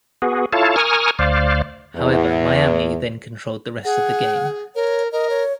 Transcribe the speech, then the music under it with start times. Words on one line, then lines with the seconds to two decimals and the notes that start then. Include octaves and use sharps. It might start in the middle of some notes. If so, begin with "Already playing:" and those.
However, Miami then controlled the rest of the game.
0.22 B3 F#4 G#4
0.53 E4 F4 A4 C#5 F5 A5
0.76 A#4 G#5 C#6 D#6 F6
1.19 D2 C5 D5 F5
1.96 E2
3.85 G#4 F#5
4.75 A#4 C#5
5.12 A#4 D#5
5.30 C#5